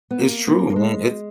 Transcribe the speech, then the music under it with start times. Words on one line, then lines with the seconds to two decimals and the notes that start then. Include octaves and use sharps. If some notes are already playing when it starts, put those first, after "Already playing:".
It's true, man, it's
0.11 B3
0.19 A#3
0.47 A#3
0.70 A#3
0.76 G#3